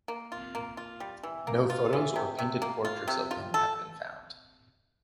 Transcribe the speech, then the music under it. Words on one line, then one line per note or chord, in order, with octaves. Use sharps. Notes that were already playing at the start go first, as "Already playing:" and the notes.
No photos or painted portraits of him have been found.
A#3
F4
A#3
F4
G3
E3
A#3
F4
E3
C3
C3
A#3
F4
C3
F4
A4